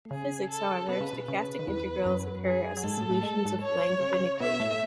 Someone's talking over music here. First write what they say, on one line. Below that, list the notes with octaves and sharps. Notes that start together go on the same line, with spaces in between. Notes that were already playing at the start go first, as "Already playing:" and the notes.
In physics, however, stochastic integrals occur as the solutions of Langevin equations.
C#3 G#4
A4
B2 B4
C#3
B2
C#3 B4
D#3
E2 E3
F#2 F#3
G#4
F#3
G#2 G#3 A4
A2 A3
A2 A3
G#3
A3
G#2 G#3
C#5
C#3 C#4
B2 B3 E5
A2 A3